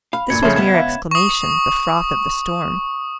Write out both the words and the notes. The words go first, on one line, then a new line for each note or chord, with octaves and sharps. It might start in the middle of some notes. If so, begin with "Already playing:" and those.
This was mere exclamation--the froth of the storm.
F5 B5
D2 G2 A#2 G#6 C#7
F2 C#3 F3 A3 C5 C#5 E5
C#2 B3 C#4 G#6 E7
E5 F5
C#6 D#6